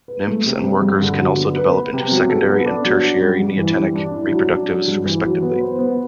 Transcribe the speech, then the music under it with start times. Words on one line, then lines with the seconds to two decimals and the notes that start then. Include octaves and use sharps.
Nymphs and workers can also develop into secondary and tertiary neotenic reproductives respectively.
0.08 B4
0.27 A3
0.46 C3
0.64 G3
0.82 G2
1.01 D3
1.19 F#3
1.37 B3
1.56 B4
1.74 B3
1.93 C3
2.12 F#3
2.29 A4
2.48 B3
2.66 D4
2.84 F#3
3.03 F#4
3.21 G3
3.39 G2
3.58 E3
3.77 G3
3.95 D4
4.14 E4
4.32 F#3
4.50 D4
4.69 F#3
4.88 G2
5.06 E3
5.24 F#3
5.42 B3
5.61 C5
5.79 B3